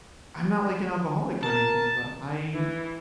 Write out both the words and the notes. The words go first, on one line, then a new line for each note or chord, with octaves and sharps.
I'm not like an alcoholic or anything, but I
A#4 A5
E3